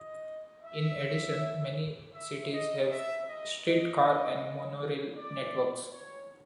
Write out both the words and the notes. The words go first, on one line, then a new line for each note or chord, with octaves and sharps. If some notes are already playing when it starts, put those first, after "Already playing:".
In addition, many cities have streetcar and monorail networks.
Already playing: D#5
E5
E5
D#5
E5
D#5
D#5
D5
C#5